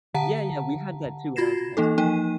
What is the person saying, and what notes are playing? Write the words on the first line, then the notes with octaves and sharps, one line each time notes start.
Yeah, yeah, we had that too when I was in high school.
D3 F#5 A5 A#5
F4 F#4 G#6 A#6 C7 E7
E3 A#3 D#4 A4
F3 A#3 D#4 G5 D#7